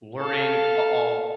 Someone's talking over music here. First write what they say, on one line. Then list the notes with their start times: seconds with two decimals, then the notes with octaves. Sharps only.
learning a all
0.19 A4 F5